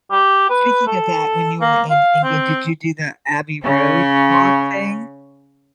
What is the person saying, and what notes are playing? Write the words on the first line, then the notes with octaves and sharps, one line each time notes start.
Speaking of that, when you were in England, did you do the Abbey Road walk thing?
G4
B4
A4
A#3
F5
C4
C#3 C#4